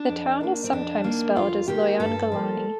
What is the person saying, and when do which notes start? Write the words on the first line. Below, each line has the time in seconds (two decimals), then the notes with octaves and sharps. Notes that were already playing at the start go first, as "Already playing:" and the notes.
The town is sometimes spelled as "Loyangalani".
Already playing: D4
0.09 F2
0.41 D#3 A#3
0.64 C4
0.72 F2 D4
1.04 D#3 A#3
1.36 F2 F4
1.68 D#3 A#3 G4
2.00 G2 A4
2.32 F3 A#3